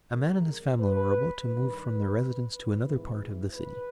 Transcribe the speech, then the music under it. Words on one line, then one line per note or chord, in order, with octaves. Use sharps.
A man and his family were about to move from their residence to another part of the city.
E2 C#3 E3 G3 A#4
B4
G2 D#3 G3 B4
B4
G#1 G#2 E3
B4